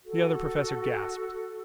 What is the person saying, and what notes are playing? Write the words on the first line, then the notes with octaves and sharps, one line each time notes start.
The Other Professor gasped.
F#4 A4